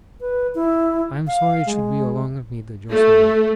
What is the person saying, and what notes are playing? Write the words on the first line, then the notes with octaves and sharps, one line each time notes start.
I am sorry it should be along of me that you're so ready.'
B4
E4
F5
G#3
A3